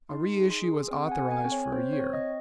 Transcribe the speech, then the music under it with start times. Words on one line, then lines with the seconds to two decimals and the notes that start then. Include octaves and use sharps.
A reissue was authorized for a year.
0.09 D#4 C6
0.37 G#4
0.50 C6
0.64 G#4
0.91 C4
1.07 F#5
1.12 G#5
1.18 A4
1.32 G#5
1.45 C4
1.52 C#5
1.72 C4 C5
1.93 C#5
2.00 C4
2.13 D#5